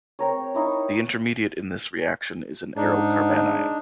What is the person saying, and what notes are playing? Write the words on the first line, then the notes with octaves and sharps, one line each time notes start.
The intermediate in this reaction is an aryl carbanion.
C4 A#4 C#5
D#4 E4 C#6
G#2 D4 D#4